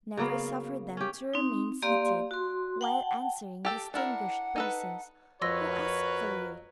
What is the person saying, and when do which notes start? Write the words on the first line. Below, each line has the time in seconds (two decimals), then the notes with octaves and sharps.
Never suffer them to remain seated while answering distinguished persons who ask for you.
0.17 C#3 F#3 A#3 B3
0.97 C#4 G4
1.34 C4 D#4
1.82 A#3 G4 D5 F5 C6
2.31 F#4 C6
2.81 F#5 G5 A5
3.65 G4 A4 G5
3.94 D4 E4 A#4 F#5
4.56 D#4 A4 B4
5.42 F2 F#4 A#4 B4 C#5 C6 E6 A#6